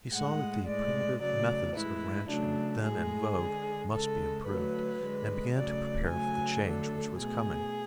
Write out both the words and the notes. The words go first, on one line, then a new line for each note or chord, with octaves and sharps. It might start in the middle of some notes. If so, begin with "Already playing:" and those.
He saw that the primitive methods of ranching then in vogue must be improved, and began to prepare for the change which was coming.
A2 G#3 F#5
A2 G#3 D5
C#3 F#3 A3 D5
A2 E3 G#3 E4
C#3 F#3 A3 D4
A2 G#3 G#4
D3 G#3
C#3 G#3 A4
D3 F#3 A3 B4
D3 G#3
C#3 F#3 A3 D5
C#3 F#3 A3 G#5
D3 F#3 A3 A4
B2 A3 G#4